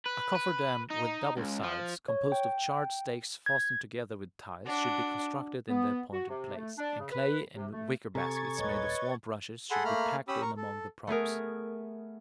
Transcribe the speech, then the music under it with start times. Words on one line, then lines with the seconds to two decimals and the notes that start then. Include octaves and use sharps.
A cofferdam with double sides, composed of charred stakes fastened together with ties, should be constructed in the appointed place, and clay in wicker baskets made of swamp rushes should be packed in among the props.
0.06 B4
0.35 B4
0.91 D#4
1.37 C#2
1.63 F3
2.08 C#5
2.32 G5
3.46 G#6
4.65 D4 F#4
5.69 B3
6.13 F#4
6.29 C3
6.55 A3
6.78 D4
7.00 C#3
7.11 B4
7.55 C3
7.72 A3
8.15 C3 A4 G#5 A#5 C#6 G#6 A6
8.58 D#1 B4 C#5 D#5
9.71 G#4 A4 F#5 B5 C6
9.85 A3 A#3 A#5 B5 F6
10.28 C#4 G4 B5 D#6 E6
10.42 A#4 A#5 C#6
10.57 A4
11.07 A3 B3 G#4 A#4